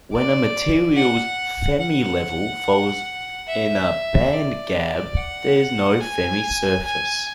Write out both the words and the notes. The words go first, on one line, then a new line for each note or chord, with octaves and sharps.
When a material's Fermi level falls in a bandgap, there is no Fermi surface.
D5
F#5
F#5
E5
D5
F#5
G#5
G#5